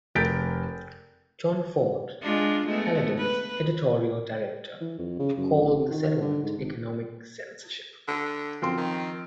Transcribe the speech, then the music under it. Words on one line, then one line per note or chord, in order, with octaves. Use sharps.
Jon Ford, Paladin's editorial director, called the settlement economic censorship.
F1 A#4 G6 A6 B6 D7
G#3 D4 F4
G#3 A3 B3
B4
E3
F2
C#3
F#2
A1
C3
D#3
D#3
D3
G#2
G#1
D3
F#2 F3 C4 C6
D#3